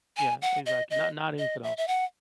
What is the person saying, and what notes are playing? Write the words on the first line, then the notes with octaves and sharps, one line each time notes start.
Yeah, exactly, not not anything else.
G#5
F#5
D#5
D#5
D#5
E5
E5
F#5